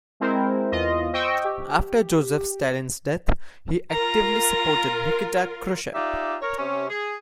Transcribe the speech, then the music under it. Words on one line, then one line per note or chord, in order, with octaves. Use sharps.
After Joseph Stalin's death, he actively supported Nikita Khrushchev.
G#3 C4 E4 A#4 C5
E2 F4 D#5
C5 D#5 G5 C#6 E6
G4
F4 A#4 A#5
D#4 F4 G4 D5 E5
A#4 C#5
C3 C#4
G#4